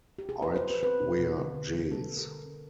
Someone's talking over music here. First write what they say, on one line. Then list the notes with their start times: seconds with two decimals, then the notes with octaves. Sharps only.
I'd wear jeans.
0.19 G4
0.29 B2 G#4
0.42 B4
0.48 B2
0.56 C5
0.66 G3 B4
0.83 C4 B4
1.01 B2
1.19 B2
1.37 D3
1.54 D3
1.73 G3
1.91 A#3 A4
2.09 D3
2.17 A#4
2.27 D3
2.45 C#4